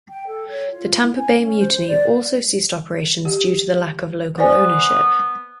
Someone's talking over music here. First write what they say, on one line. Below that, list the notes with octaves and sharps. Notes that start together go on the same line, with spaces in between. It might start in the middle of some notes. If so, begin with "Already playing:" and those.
The Tampa Bay Mutiny also ceased operations due to the lack of local ownership.
G5
A4
C#5
F4
E4
G#5
C#4
C5
C5
D5
G4
B3 C5 D5 G#5